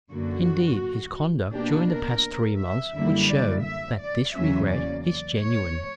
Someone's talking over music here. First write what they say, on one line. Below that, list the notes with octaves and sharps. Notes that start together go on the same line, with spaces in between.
Indeed, his conduct during the past three months would show that this regret is genuine.
F#2 D3 A#3 F#4
B2 A#3 D4 G4
A#4
E5
F#2 D3 G3 A#3 E4
D5
E5
D5
E2 C#3 F#3 A#3 C#4 E5
D5
D5
C#5